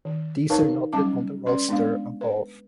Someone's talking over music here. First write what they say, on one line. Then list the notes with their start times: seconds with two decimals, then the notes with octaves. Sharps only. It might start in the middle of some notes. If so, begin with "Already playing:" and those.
These are noted on the roster above.
0.05 D#3
0.50 D#4 A#4 B4 C#5 F5 A5
0.93 F#3 G3 C#4 A5 D6
1.46 C#4 B4 D5 C6
1.68 G#3 B3 D4 D5 F5
2.21 B4